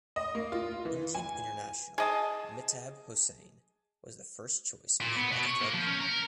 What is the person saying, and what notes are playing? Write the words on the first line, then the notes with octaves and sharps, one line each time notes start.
Indian international Mehtab Hossain was the first choice made by the club.
D#5
A#3
F4
E3
G#5
G#4 D#5 A5
A#2
B3
B2
C#5
A#3
F3
C#4
A#4